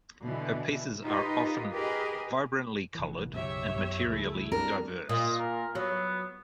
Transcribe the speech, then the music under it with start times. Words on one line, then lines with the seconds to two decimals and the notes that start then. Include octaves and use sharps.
Her pieces are often vibrantly colored and materially diverse.
0.23 B2 D3 E3
1.04 D#4 F4 G4 A#4 B4 D#5
1.73 G4 G#4 A#4 B4 D#5
2.95 F1 E3
3.33 B1 F#2 C#3 G4 C#5 E5
3.76 F#2 F#3 B3
4.08 C#2 F3 A3 E4 G#4
4.52 G3 C4 D4 A#4
5.09 A#2 D#5
5.39 A#4
5.75 F#3 B3